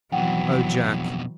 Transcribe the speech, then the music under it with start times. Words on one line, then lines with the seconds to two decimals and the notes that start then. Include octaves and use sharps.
"Oh, Jack!"
0.12 F2 B2 E3 F#3 F#5 G5